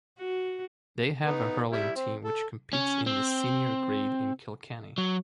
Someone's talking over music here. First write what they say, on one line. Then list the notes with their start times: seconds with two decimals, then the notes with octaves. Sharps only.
They have a hurling team which competes in the Senior grade in Kilkenny.
0.19 F#4
1.25 B3 D#4
1.72 G3 E4 E5
1.95 C4
2.24 A4
2.73 C#4
3.06 C4
4.98 F#3